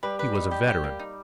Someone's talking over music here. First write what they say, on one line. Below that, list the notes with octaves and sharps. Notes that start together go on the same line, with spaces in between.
He was a veteran.
G3 B4
B4
D#4
G4
G4
A#3
D#4